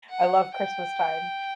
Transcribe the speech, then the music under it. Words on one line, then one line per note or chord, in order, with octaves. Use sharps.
I love Christmas time.
F#5
G5